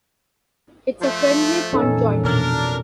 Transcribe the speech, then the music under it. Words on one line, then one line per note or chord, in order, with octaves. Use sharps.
It's a friendly fun joint.
F3 A3
F2 A#2 E3 C#4 D#4 A4
B2 D4 A#4